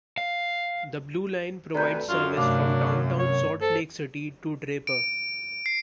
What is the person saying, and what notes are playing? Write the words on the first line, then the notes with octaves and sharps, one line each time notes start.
The Blue Line provides service from Downtown Salt Lake City to Draper.
F5
D2 C3 A4 B4 D5 A#5 G6
F#2 F4
G2 C3 A3 D4 F5 D6
C#5
A4 C5
D7
C7